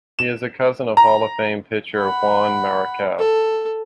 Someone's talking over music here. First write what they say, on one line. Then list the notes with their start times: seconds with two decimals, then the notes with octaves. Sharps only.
He is a cousin of Hall of Fame pitcher Juan Marichal.
0.19 E7
0.97 A#5
1.96 F#5 B5
3.19 A4